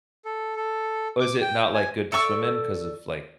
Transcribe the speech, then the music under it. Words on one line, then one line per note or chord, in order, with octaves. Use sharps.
Was it not, like, good to swim in 'cause of, like,
A4
A4
D6
G5
G#5
A4 D5 C#6 E6